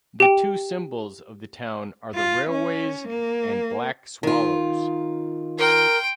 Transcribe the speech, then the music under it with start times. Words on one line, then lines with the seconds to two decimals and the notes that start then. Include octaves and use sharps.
The two symbols of the town are the railways, and black swallows.
0.20 G4 G5
2.14 F4
2.50 C#4
3.09 A#3
4.23 D#3 F4
5.58 A#4 G5 C6